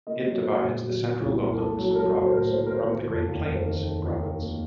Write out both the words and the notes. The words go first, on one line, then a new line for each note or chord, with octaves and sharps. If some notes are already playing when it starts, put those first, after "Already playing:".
It divides the Central Lowlands province from the Great Plains province.
A#3 D#5
F#3
A#3 C5
A#2
F#3
A#2
C2
A#3
A#4
A#3 A4
F#3
A4
F#3 A#4
F#3
C5
A2 A#4
A#3 C5
A#4
A#3 C5
A#3 A#4
F1 A4
D#2
F1 A#4
C5
D#3 A#4
D#3 A4
D#2
D#3 A#4
A#3